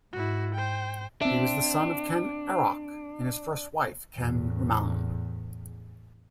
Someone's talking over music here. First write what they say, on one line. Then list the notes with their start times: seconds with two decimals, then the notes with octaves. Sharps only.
He was the son of Ken Arok and his first wife, Ken Umang.
0.13 G#2 E4 F#4
0.55 C5 G5
1.21 C4 D4 E5
4.15 E2 A2